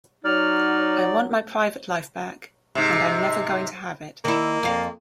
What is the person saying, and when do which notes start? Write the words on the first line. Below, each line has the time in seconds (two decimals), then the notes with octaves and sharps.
I want my private life back and I'm never going to have it.
0.24 F#3 D#4 D5 F6
2.75 G#2 C3
4.25 D#3 A#3 E4
4.63 F2 F5